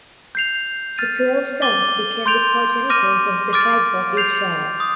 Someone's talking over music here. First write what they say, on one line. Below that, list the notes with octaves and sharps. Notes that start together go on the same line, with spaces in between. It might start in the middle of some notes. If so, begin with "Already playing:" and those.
The twelve sons became the progenitors of the "Tribes of Israel".
G6 C7 F7
F6 A6 D#7
D6 A6 D#7 G7
C6 G6 D7 F7
D6 F6 A#6 D#7
D6 F6 A6 D7
G6 C7 F7
D#6